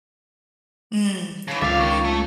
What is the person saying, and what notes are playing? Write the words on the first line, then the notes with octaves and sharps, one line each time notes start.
Mm, to grow.
C#3 E3
C#2 F4 E5 F5 D6 A6
D#3 C#6
A3